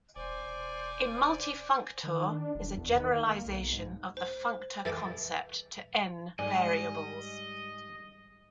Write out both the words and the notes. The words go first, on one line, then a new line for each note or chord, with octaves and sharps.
A multifunctor is a generalization of the functor concept to "n" variables.
E1 C5 D5 G#5
D#3
D4
E1
E2
D#3
A#3
B1
G#2
C5
E3 A4 D#5 G5 D6
G#2 G3 G#3 D5 D#5 G#5